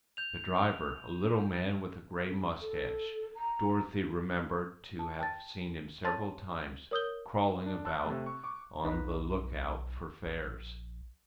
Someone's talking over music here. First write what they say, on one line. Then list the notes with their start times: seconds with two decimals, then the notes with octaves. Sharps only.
The driver, a little man with a grey moustache, Dorothy remembered to have seen him several times "crawling" about on the look-out for fares.
0.17 G6 F7
2.61 A4
3.35 A#5
4.99 A5
5.19 G5 A5 A6
6.04 C#5 A5 C6 A6
6.91 A#4 C#5 D#6 E6 G6 G7
7.66 D4
7.85 A5 C6 E6 F#6
8.06 C3 A3
8.26 C#6
8.44 C#6 D6
8.84 B1 D#4 B4
10.25 A#1